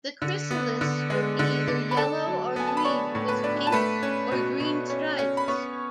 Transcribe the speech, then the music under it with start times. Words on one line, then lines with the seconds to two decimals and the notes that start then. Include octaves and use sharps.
The chrysalis will be either yellow or green with pink or green stripes.
0.22 D3
0.51 B3
0.81 D3
1.10 G#3
1.39 D3
1.68 D3
1.91 B5
1.97 D4 A4 A5
2.27 F#3
2.56 B3 G#5
2.68 A5
2.77 B5
2.85 D4 C#5 C#6
3.15 A2
3.28 B4 B5
3.44 D4
3.67 A5
3.72 A3 B4 B5
4.03 C#4
4.31 B2
4.60 B2
4.90 C#4
5.19 C#4
5.37 B5
5.48 B3 C#5 C#6